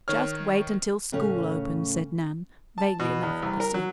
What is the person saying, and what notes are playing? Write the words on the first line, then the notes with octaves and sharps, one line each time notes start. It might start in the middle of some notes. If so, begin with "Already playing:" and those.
"Just wait until school opens," said Nan--vaguely enough, it would seem.
D#3 C#5 F6
A2 C#3 C#4
A5
B2
E2
C2
A#4
F#3